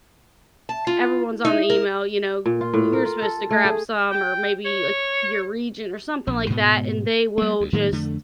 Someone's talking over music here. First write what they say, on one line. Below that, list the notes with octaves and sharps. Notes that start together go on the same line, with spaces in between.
everyone's on the email, you know, you're supposed to grab some, or maybe, like, your regent or something like that, and they will just
A5
F4
D#4
A#4
A#2
F4
A2
A#4
F4
A4
A3
G#4
G5
C#5
A#1
G#2 B2 B3
G3 A#3
D2
A2 D#3 F#3 A#3
F2 D3 A3